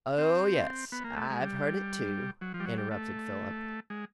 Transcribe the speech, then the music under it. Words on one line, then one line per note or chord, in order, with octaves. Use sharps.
"Oh, yes, I've heard it too," interrupted Philip.
C4
B3
A#3
A3
G#3
G3
F#3
F3
G3
F#3
G3
A3
G#3